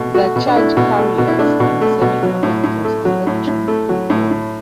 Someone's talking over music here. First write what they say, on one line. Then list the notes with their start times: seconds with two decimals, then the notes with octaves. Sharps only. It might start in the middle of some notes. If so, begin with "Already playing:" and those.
The charge carriers in semiconductors are electrons and holes.
Already playing: B2 A3
0.14 A3 F#4
0.36 B2
0.47 D4
0.56 A3 E4
0.77 B2
0.98 A3
1.18 B2
1.28 E4
1.39 A3 D4
1.60 B2
1.81 A3
2.01 B2
2.23 F#3
2.43 A2
2.64 A2
2.85 A3
3.05 F#3
3.27 A2
3.47 A2
3.68 A3
3.89 F#3
4.10 A2
4.31 A2